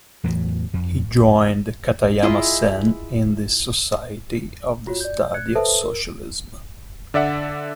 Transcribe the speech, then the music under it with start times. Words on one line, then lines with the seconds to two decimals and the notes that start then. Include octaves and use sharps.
He joined Katayama Sen in the "Society of the Study of Socialism".
0.24 E2 A2 E3 F#3
0.74 F2
2.23 E4 F4 G#4 D#5
4.87 F4 F#4 C#5
5.00 D5 G6
5.34 F#6 G#6 C#7
5.55 A4 B4 C5 E5 A5
5.83 A#4
7.14 D3 D5 E5 F#5